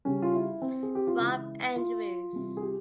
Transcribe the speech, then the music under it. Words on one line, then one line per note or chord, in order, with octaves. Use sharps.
Rob Andrews.
C#3 G3 C#4
F4
E4
C4
G#4
G4
F4
C#3 E3 G#3 E4
F4
C3 E3 G3
G#4
G4